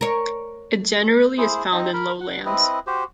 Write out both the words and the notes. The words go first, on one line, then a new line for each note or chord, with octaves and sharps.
It generally is found in lowlands.
A#4 C#5
E4 G#4 C5
C4 D#4 D#5
A#4 B5
F#5
C4 E4 B4 D#5
F#4 G4 C5